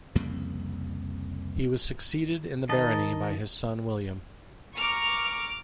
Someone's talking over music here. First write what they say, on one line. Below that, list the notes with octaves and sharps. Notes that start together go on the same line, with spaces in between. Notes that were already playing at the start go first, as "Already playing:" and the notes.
He was succeeded in the barony by his son William.
C2 F2 C#3 A#3
D#3 D#5 A5
A#5 C#6 D6 F6